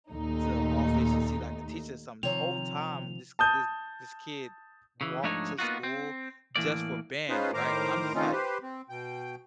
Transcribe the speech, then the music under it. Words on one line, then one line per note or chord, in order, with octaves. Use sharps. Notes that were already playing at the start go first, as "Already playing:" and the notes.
to office to see, like, a teacher or something. The home time, this this this kid walked to school just for band, right? And I'm just like
D#2 A#2 A3 D#4
C3 D#3 F3 C4 C#5 A#5 F7
A5 D#6 G6
C#3 E3
G#2 F3 A3 D4 D#4 C#5
A#3 B3 D#4 F4 F#4
C4
A2 E3 A#3 D5
C#4 D#4 F4 G#4 B4 C5
A2 D#3 A#4 C5 A#5 D6
D#3 A3 C4 C#4 D#4 F4
G4 B4 C5
C4
B2 G5